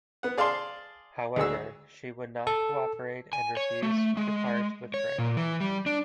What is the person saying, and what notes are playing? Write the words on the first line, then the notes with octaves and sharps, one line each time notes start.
However, she would not cooperate and refused to part with Frank.
B3 F#5
G#4 D5 F5 A5 C6
D2 G#3 F#4 G#4 E6
A4
G#5
C#5
A3
G#3
C#5
A#2
E3
G3
D4